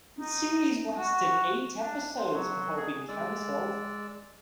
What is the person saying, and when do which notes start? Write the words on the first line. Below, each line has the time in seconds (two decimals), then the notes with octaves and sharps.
The series lasted eight episodes before being canceled.
0.19 D#4
0.97 F#4
1.80 D4
2.18 C5
2.33 F#3
2.76 G#4
3.08 G#3 D5 E6